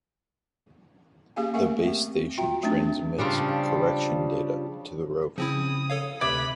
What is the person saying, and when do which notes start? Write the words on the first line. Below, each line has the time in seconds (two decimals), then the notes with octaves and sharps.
The base station transmits correction data to the rover.
1.36 A#3 C#4 G4 G#4 F5 G#5
1.54 A3 A#4 E5 F#5 G#5 C#6
1.88 C4 G4
2.38 F4 F#4 E5 G5 A#5
2.63 F#3 A3 C4 D4 D#4
3.18 C#3 F3 G3 D4
5.38 C#3 F3 C4 E4 D#6
5.90 A4 C#5 F5
6.21 D2 C3 B4 D5 E5 B5 G#6